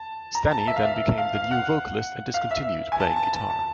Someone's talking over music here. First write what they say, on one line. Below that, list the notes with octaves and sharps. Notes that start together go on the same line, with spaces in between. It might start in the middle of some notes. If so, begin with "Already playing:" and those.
Stanne then became the new vocalist and discontinued playing guitar.
Already playing: A5
A#5
A5
E5
F5
E5
F5
F5
F#5
F5
E5
G#5
A5
A5
A5
A5